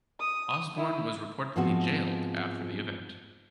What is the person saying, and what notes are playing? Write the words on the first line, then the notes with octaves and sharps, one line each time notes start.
Osborn was reportedly jailed after the event.
D#6
E4
G#2 F3 B3 C4 F#4